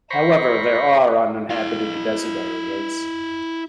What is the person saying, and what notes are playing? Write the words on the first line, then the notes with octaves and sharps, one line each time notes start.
However, there are uninhabited desert areas.
C5 A#5 B5 C#6
E4 F5